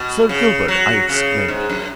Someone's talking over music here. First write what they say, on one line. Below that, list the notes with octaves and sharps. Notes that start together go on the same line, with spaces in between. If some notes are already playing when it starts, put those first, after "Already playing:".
"Sir Gilbert!" I exclaimed.
Already playing: B2
C#3
F#3
C#3
G#2
F#2